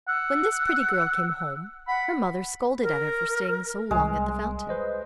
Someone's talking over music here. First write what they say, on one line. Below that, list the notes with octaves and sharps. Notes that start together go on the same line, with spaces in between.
When this pretty girl came home, her mother scolded at her for staying so long at the fountain.
F#5 E6
F#5 B5
A#4
C2 G#3
B4 C5 D#5